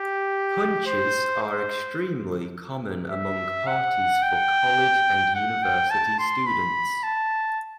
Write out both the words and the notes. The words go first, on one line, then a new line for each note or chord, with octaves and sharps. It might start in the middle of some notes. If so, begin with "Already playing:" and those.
Punches are extremely common among parties for college and university students.
Already playing: G4
C5
C5
E5
F#5
G5
F#5
G5
A5
C6
B5
A5